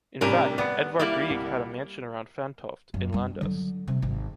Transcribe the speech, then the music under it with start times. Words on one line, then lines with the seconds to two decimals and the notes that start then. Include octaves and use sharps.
In fact, Edvard Grieg had a mansion around Fantoft, in Landås.
0.21 A2 C3 G3 C#4 D4 A#4
0.58 B3 D5 B5 C#7
1.00 G3 A#3 E4
1.30 C2
2.94 F#2
3.13 G3 D4
3.41 D3 F#3
3.88 C3 G3
4.02 G#1